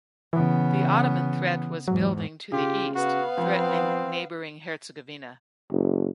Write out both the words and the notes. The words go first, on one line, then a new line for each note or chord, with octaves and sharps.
The Ottoman threat was building to the east, threatening neighboring Herzegovina.
C#3 E3 B3
E2 G#2 F#3
C#3 F4 G4
B3 F#4 F5
F3 C4
F#1